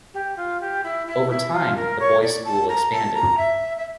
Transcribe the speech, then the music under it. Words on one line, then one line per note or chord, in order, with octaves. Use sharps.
Over time, the boys' school expanded.
G4
F4
G4
E4
E4
E4
F4
A#4
C#5
D5
A5
A#5
A5
A#5
E5
E5